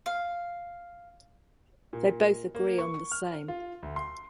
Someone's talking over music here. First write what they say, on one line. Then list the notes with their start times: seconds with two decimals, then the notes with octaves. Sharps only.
They both agree on the same.
0.06 F5
1.93 A#2
2.55 A#3
2.79 C#6
3.12 F6
3.48 F4
3.83 D2
3.96 C6